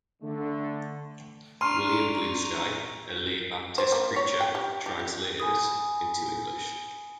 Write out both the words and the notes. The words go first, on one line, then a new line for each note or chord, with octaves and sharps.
William Bluesky, a lay Baptist preacher, translated it into English.
D3 A3
D4 A#5 C6 C#6 F6 D#7
C5
A#3
C#5
G5
G4
G4
G4
G#5 B5 D#6